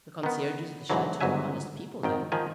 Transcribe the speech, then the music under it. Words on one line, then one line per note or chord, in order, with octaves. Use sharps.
"The concierges of the chateau are honest people, then?"
D#3 B3
G#2 D3 E3 F#3
G1 G#2 F#3 E5 G#5
G#1 D#3 G5
D#3 F3 G#5